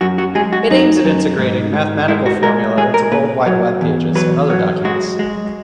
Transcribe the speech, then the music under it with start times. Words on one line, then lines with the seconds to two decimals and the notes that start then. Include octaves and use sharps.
It aims at integrating mathematical formulae into World Wide Web pages and other documents.
0.01 F#2 F#4
0.18 F#4
0.35 G#3 G#4
0.53 F#4
0.70 F#2 D#4
1.05 F#2
1.39 G#2
1.74 G#2
2.08 G#3 E4
2.26 F#4
2.43 G#3 A#4
2.77 G#3 G#4
2.94 A#4
3.11 A#2 B4
3.46 F#3
3.81 E2
4.15 F#3 B4
4.50 F#3
4.85 G#3 F#4
5.19 G#3